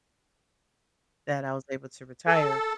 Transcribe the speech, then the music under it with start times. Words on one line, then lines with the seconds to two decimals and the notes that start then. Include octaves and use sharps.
that I was able to retire,
2.28 A4